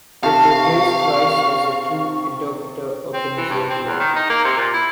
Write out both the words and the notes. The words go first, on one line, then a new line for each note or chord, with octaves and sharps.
It portrays Christ as the true interpreter of the Mosaic Law.
C3 F4 A4 F5 A5 C#6
C4
E3
G2
C4
E2
D#3
D#4
A#3
C3
A#2
E4